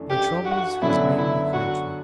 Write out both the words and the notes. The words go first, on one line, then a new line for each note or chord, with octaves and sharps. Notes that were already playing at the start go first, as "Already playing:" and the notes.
My troubles has made me contrary.
Already playing: F#2 E3 A3 D4
G4
F#4
F#2 D3 F#3 B3 D4 E4
E4
F#4